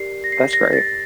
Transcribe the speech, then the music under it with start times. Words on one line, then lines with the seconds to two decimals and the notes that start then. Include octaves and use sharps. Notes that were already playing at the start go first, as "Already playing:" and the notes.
That's great.
Already playing: G4 A#4 D5 C7
0.24 A#6
0.32 C7
0.53 A#6
0.73 A6